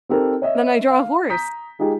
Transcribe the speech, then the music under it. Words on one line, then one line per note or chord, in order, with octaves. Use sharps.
Then I draw a horse.
C4 D#4 G4 A4 A#4 C5
C#5 D#5 E5
F5
A#5 D#6 G6 B6
G#3 D#4 F4 G4 G#4